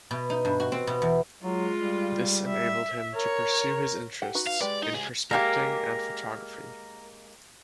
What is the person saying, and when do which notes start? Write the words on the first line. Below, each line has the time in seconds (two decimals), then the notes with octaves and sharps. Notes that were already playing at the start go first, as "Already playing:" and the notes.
This enabled him to pursue his interests in prospecting and photography.
0.11 B2
0.30 D#4
0.45 G2
0.60 F#4
0.72 C4
0.87 B2
1.02 E2
1.43 F#3 G#3 F4
1.80 G3
2.48 E5
3.15 A#4 C#5
4.22 G4 A4 F#5
4.35 D#4 F#4 B4
4.47 F5
4.61 G#3 G4 B4 D5
4.83 D#4
4.94 C#2 G#4
5.31 G#3 A#3 G4 A#4